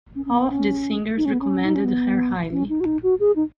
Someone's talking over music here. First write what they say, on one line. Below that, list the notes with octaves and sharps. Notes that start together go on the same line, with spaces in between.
All of these singers recommended her highly.
C#4
C#4
B3
C#4
D#4
C#4
B3
C#4
D#4
C#4
B3
C#4
D#4
F#4
D#4
F#4
G#4
D#4